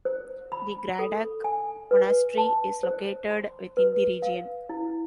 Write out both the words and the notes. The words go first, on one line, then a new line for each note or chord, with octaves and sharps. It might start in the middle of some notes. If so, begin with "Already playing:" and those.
The Gradac Monastery is located within the region.
C5
B5
A4
G#5
B4
A5
C5
C6
B4
F5
E4